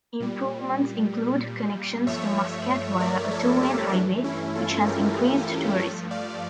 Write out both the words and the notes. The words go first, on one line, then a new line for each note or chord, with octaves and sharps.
Improvements include connections to Muscat via a two-lane highway, which has increased tourism.
A#2 G3
G2 F3 A3 C#5 E5
A#4 D5
A4 C#5
G4 A#4
G2 E3 A3 D4
C#4 E4
F4 A4
G4 A#4
G2 F3 A3 A4 C#5
D5 F5